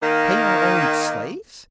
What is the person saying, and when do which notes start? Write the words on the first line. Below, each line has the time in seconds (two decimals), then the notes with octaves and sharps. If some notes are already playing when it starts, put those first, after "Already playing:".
"Pay our own slaves?"
0.02 D#3 A#3